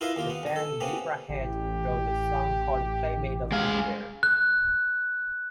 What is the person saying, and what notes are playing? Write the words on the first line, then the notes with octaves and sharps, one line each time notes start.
The band Zebrahead wrote a song called Playmate of the Year.
E4 F4 A#4 B4 D#5 F5
D#2 A#3 F4
B3
A#1 G#5
A4
C3 A#3 B3 C#4
A1 G4
G#3 F5
F#6